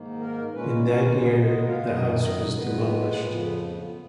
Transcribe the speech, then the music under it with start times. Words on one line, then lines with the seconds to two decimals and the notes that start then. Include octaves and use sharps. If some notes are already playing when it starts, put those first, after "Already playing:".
In that year the house was demolished.
Already playing: G#2 D#3 A#3
0.20 A#4
0.54 A#2 G#3 C#4 B4
0.89 A#4
1.22 A#2 G#3 B3 B4
1.45 D#5
1.68 F5
1.90 F#2 D#3 F#3 B3 D#5
2.24 D#5
2.58 A#2 G#3 B3 B4
3.26 F2 C#3 F3 B3